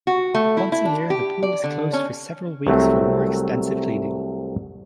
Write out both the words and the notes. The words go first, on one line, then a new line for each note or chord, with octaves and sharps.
Once a year the pool is closed for several weeks for more extensive cleaning.
F#4
A3
E4
E4
D4
G4
D5
D3
C#4
C2 F#3 A3 C4